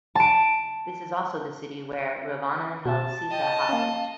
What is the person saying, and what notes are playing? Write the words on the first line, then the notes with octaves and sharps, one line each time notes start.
This is also the city where Ravana held Sita hostage.
A5 D7
B2 A5
D#5 G5
A#3 C#4 F5